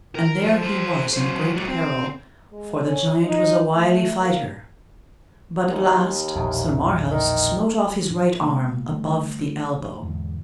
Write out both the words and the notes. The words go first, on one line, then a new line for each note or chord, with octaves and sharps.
And there he was in great peril, for the giant was a wily fighter, but at last Sir Marhaus smote off his right arm above the elbow.
A#4
F3
A4 C5
F#3 C5
G3 F#4
C4
G#3
C#4
D#4
A3
A#3
D#2
A#1 E2 B2
D#3
A2 F#3 D4
C3 G#3 A#3
D3 G3 A3
E2 G#2 D3